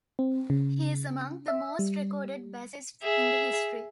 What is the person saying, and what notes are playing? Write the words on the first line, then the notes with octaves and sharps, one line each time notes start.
He is among the most recorded bassists in history.
C4
C#3
E5
G3
G#4 E5